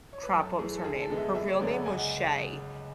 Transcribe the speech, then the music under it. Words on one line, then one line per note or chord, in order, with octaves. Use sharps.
crap, what was her name? Her real name was Shay,
C#5
B4
F#2 A4
E3 A3 G#4
A4
D2 G#4
A4
D3 G#3 B3
E5
F#1 E5
C#5
F#2 D3 G#3 B3 D5
F#5
C#2 G#5
F#5